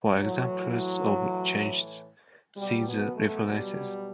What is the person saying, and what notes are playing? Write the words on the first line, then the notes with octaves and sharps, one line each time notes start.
For examples of changes, see the references.
A2 E3 F#3
B2 F#3 G3
B3
A3
G3